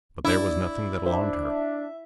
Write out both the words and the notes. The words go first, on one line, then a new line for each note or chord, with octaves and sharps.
But there was nothing that alarmed her.
D4 E4 D5
D4 C5 E5